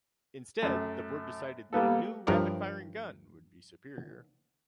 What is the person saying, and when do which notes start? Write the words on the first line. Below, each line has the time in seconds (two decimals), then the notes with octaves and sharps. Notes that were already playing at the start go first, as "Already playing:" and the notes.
Instead, the board decided that a new rapid-firing gun would be superior.
0.63 F#2 A3
1.73 G3 A#3 B3 A4
2.27 G2 F3 E4 A#4 C#5 D5